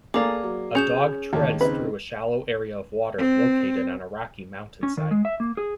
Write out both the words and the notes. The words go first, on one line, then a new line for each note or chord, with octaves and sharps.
A dog treads through a shallow area of water located on a rocky mountainside.
A#3 G#4 A4 D5 A#5 D6
F#3
C#4 G#4 G6 E7
D#2 A2 C#5 A5
C#3 C4 D#4 B4
C4
C#4
D#3
G#3
E5
A#3
G#4